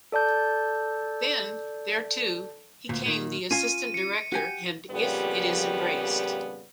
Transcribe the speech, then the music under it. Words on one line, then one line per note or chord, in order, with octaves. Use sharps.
Then, there, too, he came the assistant director and if it is embraced.
A4 D5 A5 G6
D2 A#2
A#2 D#3
C#4 F4 G#5 D#7
C#7
F#4 G4 G#5
F2 A#2 C#3 G3 B3 G4